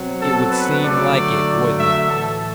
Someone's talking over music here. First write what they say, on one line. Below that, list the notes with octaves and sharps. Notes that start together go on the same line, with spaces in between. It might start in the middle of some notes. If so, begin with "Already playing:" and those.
"It would seem like it, wouldn't it."
Already playing: B2 F#3 C4
A4
B4
D3 F#3 A3 D5
E5
A2 E3 A3 A4